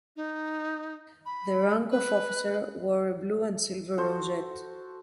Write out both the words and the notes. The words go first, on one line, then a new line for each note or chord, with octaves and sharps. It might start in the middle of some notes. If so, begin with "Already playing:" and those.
The rank of officer wore a blue and silver rosette.
D#4
B5
B4
F#4 A4 C5